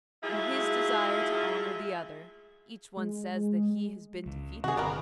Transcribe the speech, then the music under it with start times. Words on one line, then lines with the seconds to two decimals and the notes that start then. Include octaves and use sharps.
In his desire to honour the other, each one says that he has been defeated.
0.23 F#3 G#3 A3 E4 F4 G#4
2.97 G#3
4.26 C#2
4.64 C3 D#3 F#4 G#4
4.77 G1 G3 B3 A#4